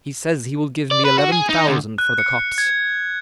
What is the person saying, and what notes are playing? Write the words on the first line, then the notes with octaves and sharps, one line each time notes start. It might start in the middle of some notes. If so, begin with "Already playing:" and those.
He says he will give me eleven thousand for the copse.
D5
B4
F#4
G#4
D#4
D2
F#6
C#7
G#6